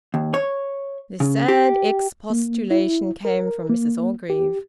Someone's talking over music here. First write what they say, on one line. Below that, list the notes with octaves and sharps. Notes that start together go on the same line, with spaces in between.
This sad expostulation came from Mrs Orgreave.
D#2
C#5
C#3
G4
A#3
E4
A#4
A#3
G4